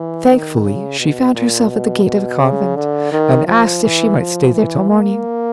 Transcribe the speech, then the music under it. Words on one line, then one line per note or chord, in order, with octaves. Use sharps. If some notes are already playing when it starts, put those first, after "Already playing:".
Thankfully she found herself at the gate of a convent, and asked if she might stay there till morning.
Already playing: E3
D#3
C#3
B2
A#2
B2
B2
C#3
D3
D#3
F3
E3
F3
E3
A#3